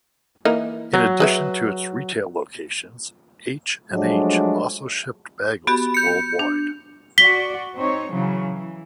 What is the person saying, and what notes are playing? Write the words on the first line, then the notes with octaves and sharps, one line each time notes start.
In addition to its retail locations, H and H also shipped bagels worldwide.
E3 A#3 D#4
F#3
G#4 B4 E5
F3 F#3 G#3 A3 D4
B3 F#4 G4 B5
G6 C#7
D4
F#4 D5 B6 G7
C4 D#4 C#5
C#3 E3 F#3
E3